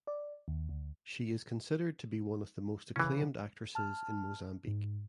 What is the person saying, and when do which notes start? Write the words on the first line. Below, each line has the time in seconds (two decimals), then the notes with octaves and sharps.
She is considered to be one of the most acclaimed actresses in Mozambique.
0.07 D5
0.48 D#2
0.69 D2
2.96 C#3 E3 C#4
3.75 A5 F6
4.67 G#2